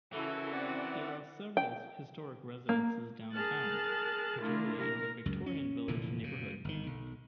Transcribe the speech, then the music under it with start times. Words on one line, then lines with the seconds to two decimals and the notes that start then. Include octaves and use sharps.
There are several historic residences downtown, particularly in the Victorian Village neighborhood.
0.13 C#3 E3 E4 F#4 A4 A#4
0.52 C4 D5 F#5
1.57 G5
2.69 A#3
3.32 G#4 A#4 A5 F6 F#6 A6
4.42 A3 D4 E4 F4 A#4
4.77 C3 A#4 F6 A#6
5.26 C#2 F#2
5.46 C#4
5.88 F1 A#2 D3 E3
6.23 F#2 C#3
6.64 G1 D#3
6.86 B1